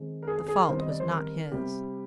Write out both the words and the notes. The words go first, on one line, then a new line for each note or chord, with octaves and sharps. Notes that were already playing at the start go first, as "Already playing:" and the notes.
The fault was not his.
Already playing: D#3 G#3 C4
A#4
G#4
G#4
G#4
A#4
D#3 G3 C4 C5
D#5
D5
C5
A#4
C3 G3 C4 G4